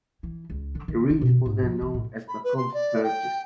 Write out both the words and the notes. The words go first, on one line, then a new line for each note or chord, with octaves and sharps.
The region was then known as Macomb's Purchase.
E3
C#2
D3
D#3
D4
B2
G#2
F3
E3
A2
B5
B4
C6
D5
G5